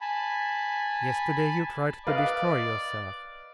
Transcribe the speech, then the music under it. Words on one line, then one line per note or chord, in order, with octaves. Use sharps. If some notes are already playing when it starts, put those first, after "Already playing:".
Yesterday you tried to destroy yourself.
G#5 A5 B5
B4 D5 D#5 F5